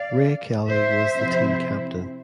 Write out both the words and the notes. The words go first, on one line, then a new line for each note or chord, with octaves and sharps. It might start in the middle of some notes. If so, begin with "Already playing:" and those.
Ray Kelly was the team captain.
Already playing: D5 F5
C5 E5
C3 F3 C4 E4